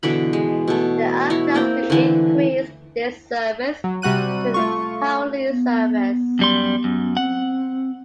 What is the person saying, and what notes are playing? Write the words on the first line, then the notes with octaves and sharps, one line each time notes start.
There are plans to increase this service to an hourly service.
B2 D3 E3 B5
G#3
B2 A3
E4 C#5
A#3 C4 A#4 G5
D3 E3 A3
F#3
C3 G3 F#4 F#6 D#7
A3 F4 C#6
B3
F#2 G3 C6
F#2
C4 F#5